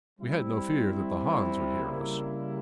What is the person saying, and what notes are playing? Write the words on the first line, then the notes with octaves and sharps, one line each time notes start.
We had no fear that the Hans would hear us.
G3 C4 E4
C#3 G3 A#3 E4